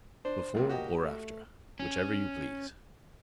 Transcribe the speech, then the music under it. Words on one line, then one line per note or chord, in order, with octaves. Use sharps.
"Before or after, whichever you please."
D4 C5
C#2 C3 A#3
F#4 G4 D#5
A3
C#4